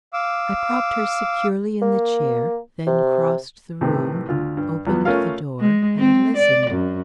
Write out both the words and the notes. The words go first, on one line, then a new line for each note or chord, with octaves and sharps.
I propped her securely in the chair, then crossed the room, opened the door and listened.
F5 D6 E6
A#3
C3
A2 C3 D#3 E3
D2 F4
G2
E2 F3 B3
A3 C#4 F4 A#4 F5
G#3
C4
D5
F#2